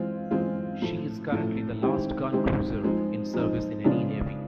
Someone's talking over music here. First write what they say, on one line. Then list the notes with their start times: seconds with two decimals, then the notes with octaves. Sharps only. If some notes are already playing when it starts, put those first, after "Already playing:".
She is currently the last gun cruiser in service in any navy.
Already playing: E3 G#3 C4 F4
0.31 E3 G#3 C4 F4
0.82 A2 F3 A3
1.32 A2 F3 A3
1.82 D#3 G#3 C4 E4 G4
2.32 D#3 G#3 C4 E4 G4
2.83 F3 G#3 C4 D#4
3.34 F3 G#3 C4 D#4
3.84 C#3 F3 G#3 B3 D4